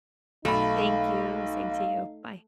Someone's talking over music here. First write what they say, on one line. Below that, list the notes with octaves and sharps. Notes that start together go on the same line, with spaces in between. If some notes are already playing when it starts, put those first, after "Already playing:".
Thank you, same to you, bye.
B1 A3 D#4 F5 B5